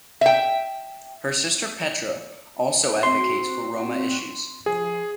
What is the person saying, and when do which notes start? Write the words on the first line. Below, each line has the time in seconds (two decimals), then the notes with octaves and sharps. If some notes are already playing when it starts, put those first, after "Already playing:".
Her sister, Petra, also advocates for Roma issues.
0.21 E5 G5
3.03 C4 F#4 C6
4.66 F3 G#4